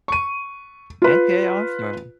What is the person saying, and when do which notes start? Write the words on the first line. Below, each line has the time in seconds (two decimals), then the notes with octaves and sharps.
Okay, awesome.
0.08 C#6 D#7
1.02 F4 B4